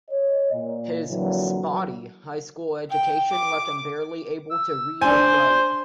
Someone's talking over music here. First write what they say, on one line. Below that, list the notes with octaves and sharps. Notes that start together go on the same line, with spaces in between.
His "spotty" high school education left him barely able to read and write.
C#5 D#5
A#2
F2 A#2 D3 E3 F#3
G5
D6
E6
D4 C5 G#5